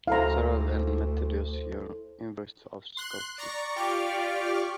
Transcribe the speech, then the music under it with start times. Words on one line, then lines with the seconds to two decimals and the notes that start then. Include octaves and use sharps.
Cyril and Methodius University of Skopje.
0.07 D2 E4 A4 C5 F5 A#5
2.97 C6 F#6
3.38 D5 A#5 C#6
3.76 F4 G4 D5 C#6 D6 F6